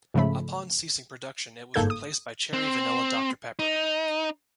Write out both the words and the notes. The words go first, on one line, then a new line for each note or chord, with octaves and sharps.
Upon ceasing production, it was replaced by Cherry Vanilla Doctor Pepper.
G#2 C#3 F3 A3 B5
G1 G#2 A#3 A4 G6 G#6
D#6
C4
D#4